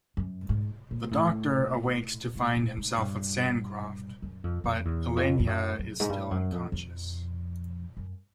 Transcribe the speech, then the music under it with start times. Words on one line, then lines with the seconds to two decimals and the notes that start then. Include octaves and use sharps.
The Doctor awakes to find himself with Sancroft, but Elenya is still unconscious.
0.17 F#2
0.49 G#2
0.91 A#2
1.11 A2
2.36 A2
2.56 A2
2.77 G#2
2.98 G2
4.22 F#2
4.44 F2
4.64 F2
4.85 E2
5.16 F2
5.39 F2
5.47 F#2
5.79 F#2
6.00 G#2
6.09 G2
6.31 F#2
6.52 F2
6.72 F2
7.97 F#2